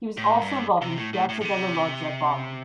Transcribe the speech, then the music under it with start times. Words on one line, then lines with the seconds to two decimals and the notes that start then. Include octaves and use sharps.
He was also involved in the Piazza della Loggia bombing.
0.17 A2
0.42 G2
0.81 C3
0.97 A2
1.13 A2
1.29 A2
1.41 A2
1.45 C3